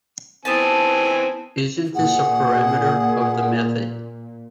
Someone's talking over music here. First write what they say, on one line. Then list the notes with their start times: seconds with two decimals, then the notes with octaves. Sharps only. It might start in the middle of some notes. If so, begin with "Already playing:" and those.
Isn’t this a parameter of the method?
0.45 E3 B3 C4 C5 G#5 A5
1.95 A#2 G#4 F#5